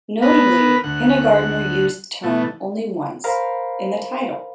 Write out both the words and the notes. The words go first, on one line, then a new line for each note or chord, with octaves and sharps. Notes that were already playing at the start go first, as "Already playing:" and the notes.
Notably, Hinegardner used the term only once: in the title.
B3 A#4 B4
D2 F#5
B2 A3
A#4 C5 F5 A#5 B5